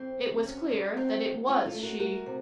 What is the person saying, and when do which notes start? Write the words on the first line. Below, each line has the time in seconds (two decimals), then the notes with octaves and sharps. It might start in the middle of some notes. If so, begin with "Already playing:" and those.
It was clear that it was she.
Already playing: F2 C4
0.20 C3
0.45 F#3 C#4
0.72 F#3
0.97 F#3 C4 D#4
1.23 F#2
1.48 F#2 C#4 F4
1.66 F4 A4
1.75 A3
1.82 F#4 A#4
1.99 A3 F#4 A#4
2.26 C3